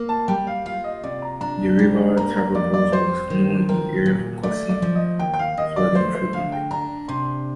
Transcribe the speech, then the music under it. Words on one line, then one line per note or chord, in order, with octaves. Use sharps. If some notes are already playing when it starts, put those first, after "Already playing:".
The river Tavropos was known in the area for causing flooding frequently.
Already playing: A#3
A5
G3 G5
F5
F4 F5
D#5
C3 D5
A#5
D4 A#5
G3
A#3 A#5
A#5
F2 D5
D5
G3 C5
D#3
C4 A#4
A#2
A3 D5
D5
F3
D#5
D#2 G5
G5
F5
D#2 D#5
D5
A3 C5
C5
D3 F5
G5
D4 A#5
C3 C6